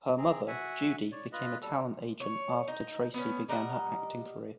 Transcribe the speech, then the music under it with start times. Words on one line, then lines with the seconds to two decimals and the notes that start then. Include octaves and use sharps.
Her mother, Judy, became a talent agent after Tracie began her acting career.
0.18 C4 G#4 A#5
0.47 F#4 E5 F#5 G#5
1.12 C#5 D5
1.32 F4 B4 D#5
1.62 G3 A4
2.20 C#5
2.68 D#4
3.14 B3 C#4
3.48 G3 A#4 D#5 F#5